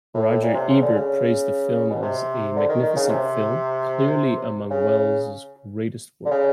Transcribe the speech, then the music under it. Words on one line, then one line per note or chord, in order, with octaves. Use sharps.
Roger Ebert praised the film as a magnificent film, clearly among Welles' greatest work.
A2
A#2
C3
C#3
D3
C#3
B2
C3
D3
D#3
D#3
C#3
C3
C#3
D3
C#3